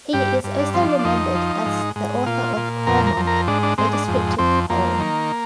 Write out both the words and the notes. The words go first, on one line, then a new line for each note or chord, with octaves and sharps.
He is also remembered as the author of "Claremont", a descriptive poem.
G2 G4
G2
D4
F3 C4
D4
D4
F2 D#4
F3
G#2
G#2
A#2 F4
A#2
F2 A#4
A#4
F2
A#4
G#2 D4
D4
G#2 C4
D4
F2
F2 C4
F2 A#3
D#3